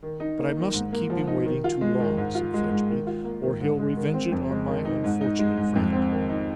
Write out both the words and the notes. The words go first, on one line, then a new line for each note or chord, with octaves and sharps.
'But I mustn't keep him waiting too long,' said Fledgeby, 'or he'll revenge it on my unfortunate friend.
D#3
D#4
A#3
D#3
G#2
A#3
F3
D#4
D#3
F4
G#3
D#3
G#2
F4
G#3
G#2
D#3
F4
A#3
D#3
G#2
G#3
D#3
C4
F2
G#3
D#3
D#4
G#2
D#4
G#3
G#2
F2
C4
D#3
D#4